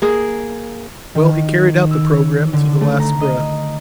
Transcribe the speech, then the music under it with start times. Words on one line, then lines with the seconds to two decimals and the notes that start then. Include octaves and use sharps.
Well, he carried out the programme to the last breath.
0.02 A#3 G#4
1.15 D#3
1.91 E6
2.14 C#5
2.53 D3
2.81 A3
3.00 A#5
3.21 D#5